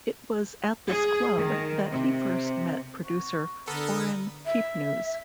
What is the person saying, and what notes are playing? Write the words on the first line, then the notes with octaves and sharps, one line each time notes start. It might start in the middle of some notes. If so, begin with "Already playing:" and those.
It was at this club that he first met producer Orrin Keepnews.
G#4
D#3
C3
F#4
D3 B3 A4 A#4
E5